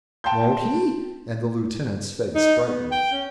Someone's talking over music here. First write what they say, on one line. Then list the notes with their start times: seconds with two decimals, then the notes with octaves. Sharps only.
"Won't he?" and the lieutenant's face brightened.
0.24 G5 A5 C6 G6
2.35 D#4
2.63 B3
2.91 G5
3.12 C#4